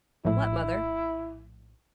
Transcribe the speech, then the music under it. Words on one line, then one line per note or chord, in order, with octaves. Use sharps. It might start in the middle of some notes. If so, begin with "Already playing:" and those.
"What, mother?"
A#1 A2 E4